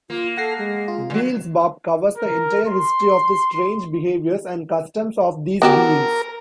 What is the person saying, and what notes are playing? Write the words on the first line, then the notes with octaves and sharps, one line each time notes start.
Beelzebub covers the entire history of the strange behaviors and customs of these beings.
A#3 F4
A4 F#5 A#6 C7
G#3
F4
A#2 F#3 A#3
A#4
C6
B3 F#4 G4 A#4